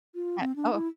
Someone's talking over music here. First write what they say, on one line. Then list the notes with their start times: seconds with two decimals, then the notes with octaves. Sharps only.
Uh oh.
0.15 F4
0.40 C4
0.56 D4
0.73 E4